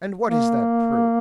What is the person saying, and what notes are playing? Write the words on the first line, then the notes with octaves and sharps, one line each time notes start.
"And what is that proof?"
A#3